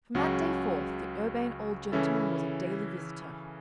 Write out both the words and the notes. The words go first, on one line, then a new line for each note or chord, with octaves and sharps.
From that day forth, the Urbane Old Gentleman was a daily visitor.
C#2 C#3 F#3 C#4 F#4
C#3 E3 C#4 E4 A4